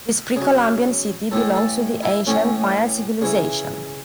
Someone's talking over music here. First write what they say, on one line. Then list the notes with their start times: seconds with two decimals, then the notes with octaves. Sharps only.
This pre-Columbian city belongs to the ancient Maya civilization.
0.36 C#3 F#3
1.31 A2 E3 A4
1.56 A4
2.03 E4
2.27 A2 E3 C#4
3.21 C#3 E3